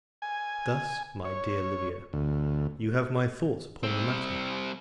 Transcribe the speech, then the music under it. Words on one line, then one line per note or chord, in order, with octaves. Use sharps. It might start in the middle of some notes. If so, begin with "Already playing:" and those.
Thus, my dear Livia, you have my thoughts upon the matter.
G#5
C#5
D2
G3 C4